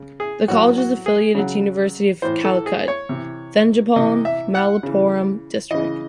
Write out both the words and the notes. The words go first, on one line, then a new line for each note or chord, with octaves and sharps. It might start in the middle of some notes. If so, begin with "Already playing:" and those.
This college is affiliated to University of Calicut, Thenjipalam, Malappuram District.
Already playing: C#3
G#4
A2 F#3 F#4
F#4
G#4
C#3 F#3
A2 E3 C5
A4
G#4
C#5
C3 E3
C3 E3 D#5
E5
F#5
C#3
E3
C#3 E3 D#5